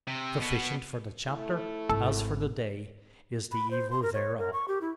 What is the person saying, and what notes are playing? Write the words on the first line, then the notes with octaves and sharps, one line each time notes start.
Sufficient for the chapter, as for the day, is the evil thereof.
C3
B2 B3
A3 E4
G#1 A4
B5
C5
C6
A#4
C#5
A#4
C#6
G4
E4